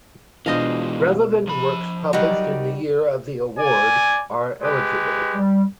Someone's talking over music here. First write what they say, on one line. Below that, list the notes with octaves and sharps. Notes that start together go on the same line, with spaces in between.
Relevant works published in the year of the award are eligible.
B2 E3 G#3 D4 F4 C5 D#5 F5
F3 B5
F#3 G3 D#4 F#4 A#4 D5
D5 G#5
G#3 G4 B4
G3